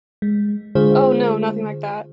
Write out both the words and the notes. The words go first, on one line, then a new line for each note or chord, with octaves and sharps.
Oh, no, nothing like that!
G#3
D3 G#3 F4 G#4 C5